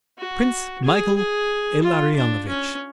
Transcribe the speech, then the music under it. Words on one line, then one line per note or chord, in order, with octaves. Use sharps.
Prince Michael Ilarionovich!
F#4
G#4
G#4
F4
D4
C#4